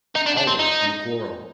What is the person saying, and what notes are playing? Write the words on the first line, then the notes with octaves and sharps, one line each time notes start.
Always in a quarrel.
D#4
D4
D4
C4
D#4